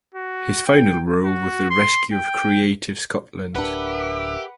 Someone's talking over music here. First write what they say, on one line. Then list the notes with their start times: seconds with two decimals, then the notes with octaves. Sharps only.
His final role was the rescue of Creative Scotland.
0.14 F#4
0.66 G5
1.25 F#4
1.70 C6
2.13 G5
3.55 D1 D4 G4 A#4 B4 E5 F#5